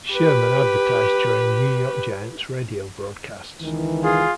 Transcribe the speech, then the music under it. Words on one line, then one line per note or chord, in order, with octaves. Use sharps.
Sherman advertised during New York Giants radio broadcasts.
G4 B4
C#2 D#3 E3
F4 G#4